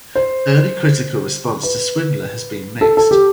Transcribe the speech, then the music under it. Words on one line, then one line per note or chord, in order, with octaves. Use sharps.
Early critical response to Swindler has been mixed.
C5
B4
A4
A4
G4